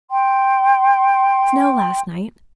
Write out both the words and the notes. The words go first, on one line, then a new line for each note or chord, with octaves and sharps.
Snow last night.
G5 C6